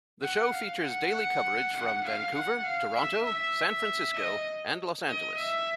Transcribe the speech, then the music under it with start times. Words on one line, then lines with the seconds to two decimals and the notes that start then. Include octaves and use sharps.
The show features daily coverage from Vancouver, Toronto, San Francisco and Los Angeles.
0.22 F#5
0.52 F5
0.82 F#5
1.12 F#5
1.73 F#5
2.04 F5
2.34 F#5
2.65 F5
2.95 E5
3.25 E5
4.16 D#5
5.08 D#5
5.37 E5